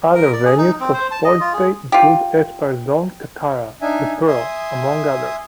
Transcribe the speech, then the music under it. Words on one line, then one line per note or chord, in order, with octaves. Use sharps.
Other venues of sports day include Aspire Zone, Katara, The Pearl, among others.
A#4
D5
G#4
D#4
C4
C5
A5
D#5
F4
G#4
F4 G4
D4 D#4 E5 G#5
E5 G#5 C6 D#6